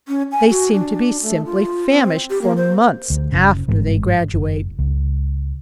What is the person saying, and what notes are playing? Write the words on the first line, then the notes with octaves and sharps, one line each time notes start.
They seem to be simply famished for months after they graduate.
C#4
G#5
F#4
D4
A3
F4
C4
G4
A#3
C5
D2
F#1 C#3
G1 G#2 E3
F#1
C#2